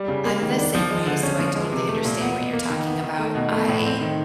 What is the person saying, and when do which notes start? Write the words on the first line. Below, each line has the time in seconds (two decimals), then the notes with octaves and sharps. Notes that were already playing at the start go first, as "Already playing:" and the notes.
I'm the same way, so I totally understand what you're talking about, I
Already playing: G3
0.08 C#3
0.25 A#3
0.42 D#3
0.58 D4
0.75 F3
0.90 G#3
1.06 D3
1.23 C#4
1.39 F3
1.56 G#3
1.72 C3
1.89 A3
2.05 A#2
2.21 B3
2.37 B2
2.53 A#3
2.70 D#3
2.86 B3
3.03 D#3
3.19 A3
3.35 B2
3.52 A3
3.68 A2
3.85 C4
4.01 D#3